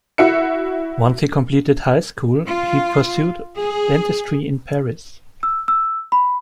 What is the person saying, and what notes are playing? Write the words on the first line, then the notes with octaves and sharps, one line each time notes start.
Once he completed high school, he pursued Dentistry in Paris.
E4 F#4 E5 C#7
F4
G#4
E6
E6
B5